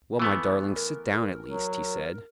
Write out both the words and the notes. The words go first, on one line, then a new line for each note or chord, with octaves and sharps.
"Well, my darling, sit down, at least," he said.
E3 A3 B3
A#4
F#3